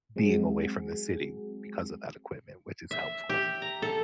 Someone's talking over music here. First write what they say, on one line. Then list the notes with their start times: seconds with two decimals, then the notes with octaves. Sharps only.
being away from the city because of that equipment which is helpful.
0.16 F#3 G#3 C4 F#4 G#4
2.91 E5
3.29 G4
3.62 A#5
3.82 A4